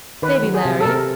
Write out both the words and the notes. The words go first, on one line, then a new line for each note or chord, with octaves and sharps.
"Baby Larry."
D#3 B4
F#3
G#4
C3
A4
C3 A#4